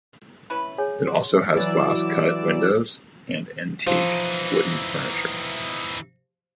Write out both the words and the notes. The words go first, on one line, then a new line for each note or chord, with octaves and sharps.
It also has glass cut windows and antique wooden furniture.
C#4 E4 B4
G#4 C#5 G#5
F#4 C6
E3 F#3 D5 E6
E3 F3 D#4